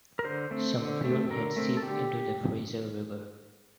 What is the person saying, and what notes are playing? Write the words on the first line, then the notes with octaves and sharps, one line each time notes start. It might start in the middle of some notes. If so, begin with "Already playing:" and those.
Some fuel had seeped into the Fraser River.
A#4
D3 C5
A3 C4
D3
A3 C4
D3 A#4
A3 C4
A4
D3 G4